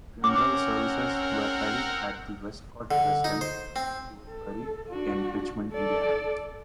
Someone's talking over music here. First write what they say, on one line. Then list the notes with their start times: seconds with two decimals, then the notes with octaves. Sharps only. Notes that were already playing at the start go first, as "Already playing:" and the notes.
Funeral services were held at the Westcott residence; he was buried in Richmond, Indiana.
0.24 C4 C#4 A#4 F#5 D6
2.91 D3
3.24 D#4
3.41 C5
3.76 C4
4.28 A4
4.88 D4 F#4
5.73 A4 D5